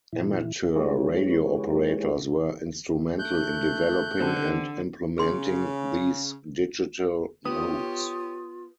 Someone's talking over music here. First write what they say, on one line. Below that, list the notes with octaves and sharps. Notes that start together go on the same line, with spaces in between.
Amateur radio operators were instrumental in developing and implementing these digital modes.
A#2 E3 E4
G#3 E4 G4 G#4 B4 C#5
A3 F#6 G6
D3 C4 G4 A4
C#3 G#4 C6
B3 F4 G4 C#5 D#6